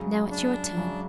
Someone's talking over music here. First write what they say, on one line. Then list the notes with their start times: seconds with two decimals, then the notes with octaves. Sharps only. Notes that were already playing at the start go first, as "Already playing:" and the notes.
Now it's your turn.
Already playing: F#2 C#3 G#3
0.31 D4
0.77 F#2 C#3 G#3